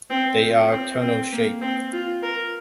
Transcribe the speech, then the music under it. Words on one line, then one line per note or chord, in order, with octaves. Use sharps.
They are tunnel-shaped.
C4
F4
C4
C4
A#3
C4
F4
A#4